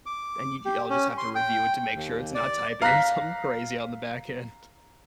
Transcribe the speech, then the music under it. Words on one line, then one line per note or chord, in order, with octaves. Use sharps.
Then you'd y'all just have to review it to make sure it's not typing in some crazy on the back end.
D6
G4
C#4
C6
G5
D#2
D5
F5 A#5 F#6 A#6 B6